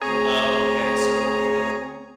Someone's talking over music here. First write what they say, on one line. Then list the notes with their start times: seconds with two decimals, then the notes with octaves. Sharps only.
Oh, okay. So, close.
0.02 D2 C4 G#4 C#5 A#5